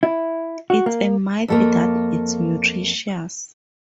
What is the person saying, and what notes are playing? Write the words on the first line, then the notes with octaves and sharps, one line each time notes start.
It's a myth that it's nutritious.
E4
F#4
A#3
F2 A3 A#3